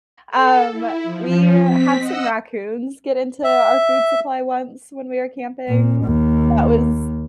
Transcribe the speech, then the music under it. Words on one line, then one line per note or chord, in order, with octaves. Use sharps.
Um, we had some raccoons get into our food supply once when we were camping. That was
A4
E4
F3
C4 B6
D#5 F#5 E6
E5
A#2
D#2